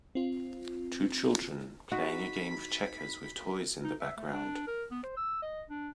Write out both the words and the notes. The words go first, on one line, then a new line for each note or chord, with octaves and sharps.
Two children playing a game of checkers with toys in the background.
C4 F4
D#4 F#4 B5
D#4
E5
A3
D4
A#4
B3
C5
E6
D#5
D4